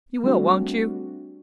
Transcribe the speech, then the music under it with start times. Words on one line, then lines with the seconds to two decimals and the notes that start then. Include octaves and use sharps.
You will, won't you?
0.23 G3 A3 C4 D4 F#4